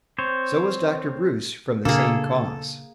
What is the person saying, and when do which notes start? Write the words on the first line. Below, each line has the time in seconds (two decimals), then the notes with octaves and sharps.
So was Dr. Bruce from the same cause.
0.18 C4 C5 C#5
1.85 A#2 C#3 A#3 D4 G#4 A4